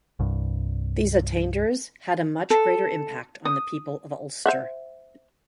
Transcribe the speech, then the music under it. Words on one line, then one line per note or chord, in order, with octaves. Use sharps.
These attainders had a much greater impact on the people of Ulster.
C2 G2
A4
D#6
C5 E5 F#5